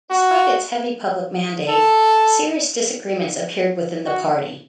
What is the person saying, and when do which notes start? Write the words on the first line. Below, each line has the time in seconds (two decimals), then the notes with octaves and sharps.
Despite its heavy public mandate, serious disagreements appeared within the party.
0.11 F#4
1.69 A4
4.06 F#4